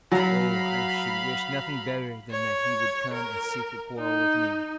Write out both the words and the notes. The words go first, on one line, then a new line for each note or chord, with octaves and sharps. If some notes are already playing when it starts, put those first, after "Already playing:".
"Oh, I should wish nothing better than that he would come and seek a quarrel with me."
F#3 F5 B5
C#5
A#4
D#4